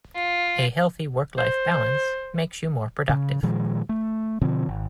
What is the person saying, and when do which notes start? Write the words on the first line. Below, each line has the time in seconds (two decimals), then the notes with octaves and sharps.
A healthy work life balance makes you more productive.
0.15 F4
1.38 C5
3.09 C#3
3.43 A#2 D#3 F3 G#3
3.89 A3
4.42 B2 D3 F3 C4
4.69 G#1